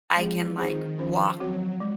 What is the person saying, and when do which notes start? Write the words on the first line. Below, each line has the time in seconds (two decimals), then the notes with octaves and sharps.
I can, like, walk
0.16 F3 G#3 C4 F4 G#4
0.57 D#3 C4 F4 G#4 C5
0.98 F3 C#4 F4 C5
1.39 F3 F#3 C4 F#4 C#5
1.80 G#3